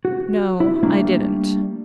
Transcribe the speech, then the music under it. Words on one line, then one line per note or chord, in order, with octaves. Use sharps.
"No, I didn't."
F#4
E4
G3 A3 A#3 D4